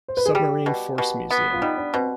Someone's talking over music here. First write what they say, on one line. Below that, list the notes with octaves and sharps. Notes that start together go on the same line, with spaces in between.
Submarine Force Museum.
C5
B4
G#4
G3 G4
B2
B2
B3
F4
G3 D#4
D4
B2 C4